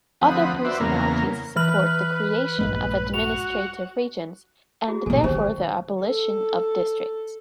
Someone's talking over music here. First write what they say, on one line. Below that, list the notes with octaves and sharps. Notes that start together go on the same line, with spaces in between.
Other personalities support the creation of administrative regions and therefore the abolition of districts.
D2 F3 C4 F#5 B5 D#6
F#4 B4 C5 D5 E5
E2 C#3 A#3 B3 A#4
E3 B4 F6 F#7
A#1 G2 G#3
F#4 F7
E4 F#4 G#4
B1 A#2 A4 G#5
D#3 C#4 G4 C5
A4